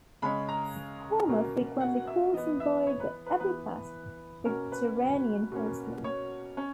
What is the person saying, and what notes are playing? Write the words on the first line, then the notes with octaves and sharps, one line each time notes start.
Homer frequently calls him by the epithet the Gerenian horseman.
C#3 G#3 C#4 B5
A#5
B2 A#3 C#4
F#5
E5
E3 B3 D#5
E5
C#5
B4
B4
E3 B3 B4
B2 A#3 C#4 A#4
B4
B2 A#3 C#4
C#5
C#4